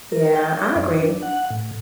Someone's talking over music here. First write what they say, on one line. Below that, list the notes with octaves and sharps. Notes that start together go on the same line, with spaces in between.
Yeah, I agree.
A#4
G5
G5
F#2
D4
F#5
A2